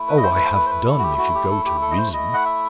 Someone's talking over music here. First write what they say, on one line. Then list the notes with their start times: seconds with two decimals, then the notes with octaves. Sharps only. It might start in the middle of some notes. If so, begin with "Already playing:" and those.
Oh, I have done if you go to reason!
Already playing: A3 E4
0.08 B4
0.17 D#5
0.23 C5
0.36 B4
0.45 C5
0.55 B4
0.66 C5
0.70 B4
0.86 A3 E4 A4
0.98 F#4
1.03 G4
1.18 F#4
1.34 G4
1.51 A4
1.66 G4
1.82 A4
1.91 D#5
1.98 C5
2.13 A3 E4 D#5
2.34 F#5
2.46 E5